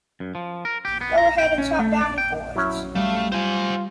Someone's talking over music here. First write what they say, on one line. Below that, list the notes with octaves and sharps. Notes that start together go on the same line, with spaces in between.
Go ahead and chop down your forests.
F#2
F3
A#4
G4
B3
A#5
G5
C#4
A3
D5
G5
F#3 C#4 E4
G3 A3 F5
F4 C5 G#5